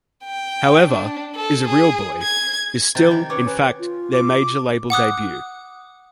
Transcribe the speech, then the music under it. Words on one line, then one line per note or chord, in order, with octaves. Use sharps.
However, "...Is A Real Boy" is still in fact their 'major label debut'.
G5
D4
A4
G#4
G#6
C3 D#3 A#5 G6 A6
G4
C#4 B4 D6 C#7 D7
B4 C#5 G#5
F4
D6
F#5 D6 D#6 F#6